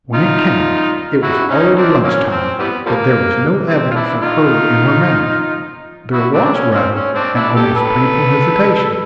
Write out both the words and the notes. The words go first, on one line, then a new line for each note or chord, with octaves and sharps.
When it came, it was already lunch-time, but there was no evidence of hurry in her manner; there was, rather, an almost painful hesitation.
D#4 F4
E4 F#4
C#4 D#4
C4 D4
F#3 A#3 C#4
C4
E3 G3 B3
F3 G3 A#3
C4
F4
D4 E4
D#4 F4
E4 F#4
C4 D4
D4
C#4
C#4
C4
C#4
C4 D4
D4 E4
G4 A4
A4 B4